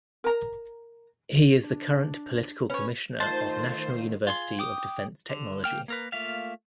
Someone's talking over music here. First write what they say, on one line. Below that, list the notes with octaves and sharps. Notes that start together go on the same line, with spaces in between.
He is the current Political Commissioner of National University of Defense Technology.
A#4 A#5
D4
C#4 B4 C#5
D#3 A3 F4 C5 A5
F4 G#4 C6
G5 D6 D#6
D3
A#3 G5 F6
A#3 A#4 B4
A3 A#3 F4 E5 F5